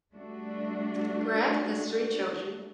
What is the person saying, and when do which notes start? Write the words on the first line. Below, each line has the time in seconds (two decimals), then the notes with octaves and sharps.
Greg has three children.
0.13 G3 A3 D4 F#4